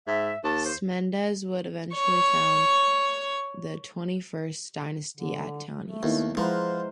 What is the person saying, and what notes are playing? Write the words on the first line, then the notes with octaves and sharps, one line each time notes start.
Smendes would eventually found the Twenty-first Dynasty at Tanis.
G#2 E5
D#2 A5
C5
C#5 C#6
D3
A3
D#2 B3 D#4 E4
F3 G#3 E4 B4 C5 F#5 A#5 F6